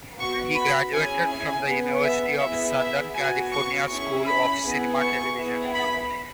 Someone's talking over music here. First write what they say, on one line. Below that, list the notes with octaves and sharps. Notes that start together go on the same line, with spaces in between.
He graduated from the University of Southern California's School of Cinema-Television.
B3 F#4 C#6
B5
C#4 E4 G#4 G#5
G#5
B3 G#4
E5
B3 E4 G#4 E5
E5
B3 F#4 G#5
C#6
C#4 E4 G#4 C#6
B5
B3 E4 G#4
C#6
B3 E4 G#4
B5